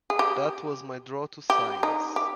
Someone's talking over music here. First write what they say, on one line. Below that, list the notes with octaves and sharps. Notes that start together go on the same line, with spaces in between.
That was my draw to science.
G#4
G4
G4
D#4
G4